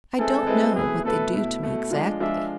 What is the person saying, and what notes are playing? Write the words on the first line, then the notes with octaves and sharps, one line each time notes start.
I don't know what they do to me exactly.
G#3 C4 E4 G#4 A4 B4
G#3 C4 E4 G#4 B4
B2 A3 E4 G#4 B4 E5
B2 A3 E4 A4 B4 E5
B2 A3 E4
B2 A3 E4
F3 G#3 D4
F3 G#3 D4 E5